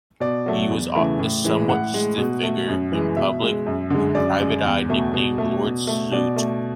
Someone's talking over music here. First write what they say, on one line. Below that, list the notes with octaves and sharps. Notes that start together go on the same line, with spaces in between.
He was a somewhat stiff figure in public whom Private Eye nicknamed 'Lord Suit'.
B2 D5
F#3 A3
E2
C#3 E3 A3
A2
E3 G#3
A2 F#5
G#3
B2
A3
F#2
E3 G#3
B2 E5
G#3
F#2
D3 G#3
F#2 D5
C#3 G#3
E2
B2 A3
B2
A3
B2
A3
B2 D5
A3